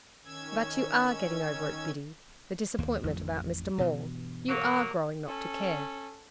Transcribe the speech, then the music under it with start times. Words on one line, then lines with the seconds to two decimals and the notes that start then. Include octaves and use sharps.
'But you ARE getting over it, Biddy--the disappointment about Mr Maule? You ARE growing not to care?'
0.24 D#3 C#4 E6 G#6
2.78 D#2 A#3
3.03 A1 F2
3.78 G2 B2 E3
4.49 F#3 A#3
5.27 C#4 A4